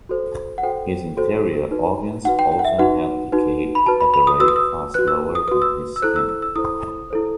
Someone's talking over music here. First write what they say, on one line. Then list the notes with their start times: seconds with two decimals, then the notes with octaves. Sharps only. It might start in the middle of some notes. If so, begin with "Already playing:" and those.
His interior organs also had decayed at a rate far slower than his skin.
0.09 F#4 A4 C5
0.58 F#5
0.63 F#4 A4 C5 G5
1.17 F#4 A4 C5
1.71 D#4 F#4 B4
2.25 D#4 F#4 B4 F#5
2.39 G5
2.52 G5
2.59 F#5
2.65 E5
2.79 D#4 F#4 B4 F#5
3.32 D#4 F#4 B4
3.75 B5
3.86 F#4 B4 A5
4.01 B5
4.14 B5
4.27 D#6
4.40 F#4 B4 E6
4.48 D#6
4.56 E6
4.94 F#4 B4 F#6
5.08 E6
5.35 D#6
5.48 F#4 B4 D#6
5.62 E6
5.96 E6
6.02 E4 A4 C5 F#6
6.16 E6
6.29 E6
6.42 E6
6.56 E4 A4 C5 D#6
7.10 E4 A4 C5